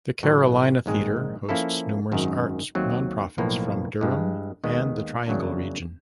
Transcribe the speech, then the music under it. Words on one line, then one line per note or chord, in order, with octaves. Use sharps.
The Carolina Theatre hosts numerous arts nonprofits from Durham and the Triangle Region.
A1 A2 F#3
A#1 G#2 D#3 G#3 C4
F3 A#3 C#4 E4 A4
G#1 F#2 D#3
D#2 D#3 F#3 A3 C4
B1 A2 F3 A#3
G2 E3 G#3
D#2 D#3 G#3 B3
E2 C#3 F#3 A#3 D4